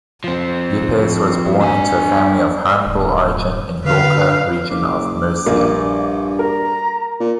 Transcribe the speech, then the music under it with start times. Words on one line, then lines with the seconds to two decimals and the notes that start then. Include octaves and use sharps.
Yepes was born into a family of humble origin in Lorca, Region of Murcia.
0.24 F3 C4
1.61 D4 G#5
2.86 D1
3.85 D3 B4 F5
4.70 F#1 D6
5.46 A#1 G2 A#3
6.39 A#4 A#5
7.20 A#2